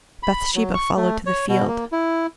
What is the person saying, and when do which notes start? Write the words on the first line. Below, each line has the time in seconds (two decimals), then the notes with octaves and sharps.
Bathsheba followed to the field.
0.23 B5
0.55 F#3
0.74 C#6
0.97 A3
1.26 C#5
1.49 B2
1.68 A#3
1.92 E4